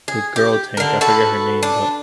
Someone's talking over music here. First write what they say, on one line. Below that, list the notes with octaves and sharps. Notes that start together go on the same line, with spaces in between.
the girl tank, I forget her name, but,
G#4
G4
D3 A#4
F#4 A4 B4
D4